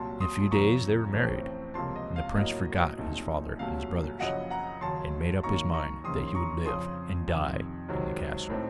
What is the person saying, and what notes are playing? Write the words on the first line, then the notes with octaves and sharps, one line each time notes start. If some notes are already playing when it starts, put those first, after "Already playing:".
In a few days they were married, and the prince forgot his father and his brothers, and made up his mind that he would live and die in the castle.
Already playing: C2 A#2 F#3 A5 C6
C6 D#6
F2 C#3 F3 A#5 C#6
A1 A2 A3 C4
C#2 C3 F3 A#3 A5 C6
D#5
F5
A2 F#3 A#3 D#5
C2 A#2 F#3 A3 D#4
C2 A#2 F#3 A3 F5
F#1 F#2 C#3 F3 D#5 F#5
F#5 A#5
D#2 C#3 F#3 A5 C6
F#2 D#3 A#3 A#5 C#6
A#5 C#6
F2 C3 D#3 A#3 C#4 C6 D#6
C6
A#5 C#6
F2 C#3 F3 C6 D#6
F2 C3 D#3
C#2 C3 D#3 F#3 C4
A2 A3 C4 D#4